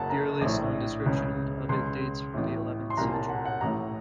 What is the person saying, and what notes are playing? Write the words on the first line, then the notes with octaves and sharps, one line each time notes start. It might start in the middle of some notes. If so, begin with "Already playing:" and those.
The earliest known description of it dates from the eleventh century.
Already playing: F#1 F#2 C#3 F#5 A5
A#5
A#1 A2
C#2 C#3
C#2 C#3 C6
A1 A2
C6
C2 A#2 A#5
A5
F#5
F#5
A1 A2 A#5